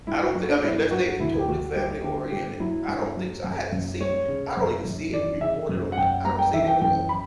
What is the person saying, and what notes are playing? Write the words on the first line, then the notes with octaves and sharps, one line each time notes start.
I don't thi I mean, unless they're totally family-oriented, I don't think so. I haven't seen I don't even see it reported on I don't see it anywhere.
G2 E4
F#4
F#3 F#4
D4
G2 E4
F#3 F#4
D2 E4
G4
D2 F#4
G3 G4
D3 G4
G2 G4
F#3 E4
G2
F#3
F#2
F#2
G3 C#5
C#3
F#2
F#2
E3 D5
C#3 E5
F#2
F#5
F#2 G5
G3 A#5
G5
E3 E5
G5
F#2 G5
B5